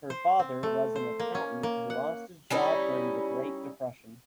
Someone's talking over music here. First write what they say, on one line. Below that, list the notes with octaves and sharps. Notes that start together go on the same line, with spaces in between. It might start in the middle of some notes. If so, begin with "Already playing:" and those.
Her father was an accountant who lost his job during the Great Depression.
C5
C4
A3
C5
A#3
C#4
A#3
F#5
G3 C#4 D#4 E4